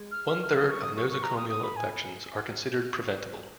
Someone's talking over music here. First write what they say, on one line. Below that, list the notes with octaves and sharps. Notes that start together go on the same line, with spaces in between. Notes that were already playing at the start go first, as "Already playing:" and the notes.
One-third of nosocomial infections are considered preventable.
Already playing: G#3
F6
F#3 F6
F6
D#6
C#6
D#6
C#6
C#6
A#5
D#6
D#6
B5
G#5